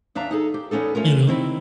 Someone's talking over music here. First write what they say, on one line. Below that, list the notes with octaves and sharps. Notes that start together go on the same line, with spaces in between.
You know?
E2 D4 E5 F5 A#5
D#4 G#4 A4
G4
E2 B3 C#4 D#4 A4
A3 C#4 F4 A#4
D#3 C4 E4